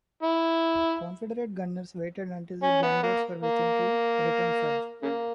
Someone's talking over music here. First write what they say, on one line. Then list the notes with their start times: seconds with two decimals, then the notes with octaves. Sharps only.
Confederate gunners waited until the gunboats were within to return fire.
0.22 E4
2.63 C#4
2.83 B3
3.03 A#3
3.43 A#3
5.02 C#3 A#3